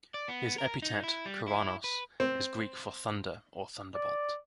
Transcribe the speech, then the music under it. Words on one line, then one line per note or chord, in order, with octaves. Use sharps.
His epithet "Keraunos" is Greek for "Thunder" or "Thunderbolt".
D5
B3
A#4
D#4
E4
G3
E4
B4
C4
D5